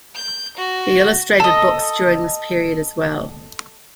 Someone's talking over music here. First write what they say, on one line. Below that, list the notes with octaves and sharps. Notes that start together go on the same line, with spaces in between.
He illustrated books during this period as well.
G6
F#4
A4 D#5